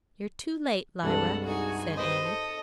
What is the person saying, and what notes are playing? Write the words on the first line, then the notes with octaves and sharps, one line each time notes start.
"You're too late, Lyra," said Annie.
C2 G2 G#3 D4 A4 F#5
D#4 F#4 G#4 G#5
B4 C5 D#5
A4